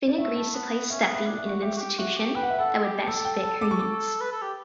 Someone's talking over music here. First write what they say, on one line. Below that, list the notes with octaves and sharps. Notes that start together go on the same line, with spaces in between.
Finn agrees to place Steffy in an institution that would best fit her needs.
D5
A3 E5
A5
B3 A5
C#4 E5
B3
E5
D4
E5
F#4
G4 E5
F#4
G4
F#4 E5
G4
B4 G5
F#5
E5
A4 F#5
G4
A4 A5
G5
A5
D6
C#6
D6
B4
A4
G4